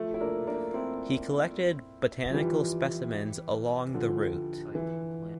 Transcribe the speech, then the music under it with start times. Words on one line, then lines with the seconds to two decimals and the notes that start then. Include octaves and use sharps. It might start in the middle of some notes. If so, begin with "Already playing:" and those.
He collected botanical specimens along the route.
Already playing: F3 A3
0.14 E4
0.21 A#3 D4
0.47 A#3 D4
0.74 C4 E4
2.30 F3
2.34 E3 G3
3.94 D3 F3
4.75 E3